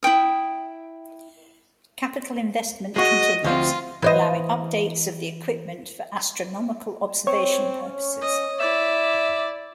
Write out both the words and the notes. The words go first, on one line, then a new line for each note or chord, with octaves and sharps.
Capital investment continues, allowing updates of the equipment for astronomical observation purposes.
E4 C5 G5 D#6
G#3 F#4 D#5
D2 F3 C4 F4
E3 C5 D#5
C4 C#5
C#4
D#5
E4 D5 E5